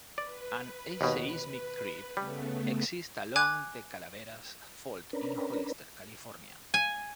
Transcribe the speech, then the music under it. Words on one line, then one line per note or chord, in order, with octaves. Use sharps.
An aseismic creep exists along the Calaveras fault in Hollister, California.
B4 D5
D#2 B2
C#3 G3 A3 B3
G#5 D6 F#6 G#6
C#4 D4 A#4 B4
G#5